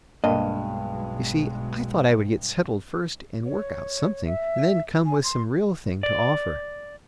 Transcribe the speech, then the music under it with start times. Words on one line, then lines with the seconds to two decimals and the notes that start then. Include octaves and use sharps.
You see, I thought I would get settled first and work out something, and then come with some real thing to offer.
0.24 B1 G2 B2 G#3 A#3 D4 D#5
3.45 C#5
4.26 E5
5.06 G#5
5.24 C6
6.03 D5